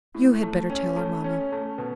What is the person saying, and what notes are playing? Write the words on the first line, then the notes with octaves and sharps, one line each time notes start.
"You had better tell her, mamma."
A2
A3
C#4
A3
C#4
A3
B2